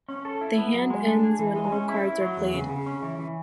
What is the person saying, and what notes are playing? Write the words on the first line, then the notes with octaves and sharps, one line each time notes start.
The hand ends when all cards are played.
C#4
A4
E4
B3
F#3
G#3
D4
G#4
E3
G#3
C#4
E4
E4
F#3
E2
C#3
C#3
C#4
E3
E3